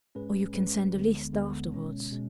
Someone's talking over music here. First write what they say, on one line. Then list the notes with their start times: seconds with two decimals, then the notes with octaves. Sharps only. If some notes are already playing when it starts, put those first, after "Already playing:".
Or you can send a list afterwards.
0.15 G#2 G#3 C#4 G#4 B4
0.54 G#2 G#3 C#4 G#4 B4
0.94 D2 D3 G#3 B3
1.32 D2 D3 G#3 B3
1.72 B2 G#3 C#4
2.12 B2 G#3 C#4